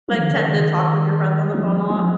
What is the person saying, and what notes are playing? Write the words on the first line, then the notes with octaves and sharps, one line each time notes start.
like tend to talk with your friends on the phone a lot?
F3
D#3
C#3
D#3
F3
F3